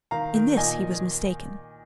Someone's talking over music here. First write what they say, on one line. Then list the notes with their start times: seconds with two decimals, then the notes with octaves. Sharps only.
In this he was mistaken.
0.11 D#3 F5 A#5
0.34 D#3
0.57 A#2 D#5 G#5